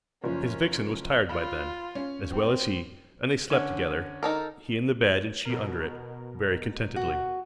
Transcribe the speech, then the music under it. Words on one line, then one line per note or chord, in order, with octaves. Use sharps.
His vixen was tired by then, as well as he, and they slept together, he in the bed and she under it, very contentedly.
F#1 F3 C#4
F4 B5
C#4
C4
D3 C#4
D#4 A4 A#4
B2 A#4
F#4